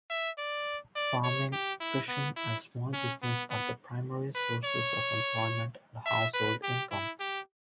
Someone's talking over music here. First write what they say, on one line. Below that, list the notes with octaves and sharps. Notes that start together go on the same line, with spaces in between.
Farming, fishing, and small business are the primary sources of employment and household income.
E5
D5
D5
C#5
G4
E4
B3
E4
C#4
B3
B3
B4
C#5
E5
B4
G4
E4
G4